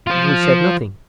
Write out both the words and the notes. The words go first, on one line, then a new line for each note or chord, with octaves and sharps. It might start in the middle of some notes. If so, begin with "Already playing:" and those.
"We said nothing."
F3 F4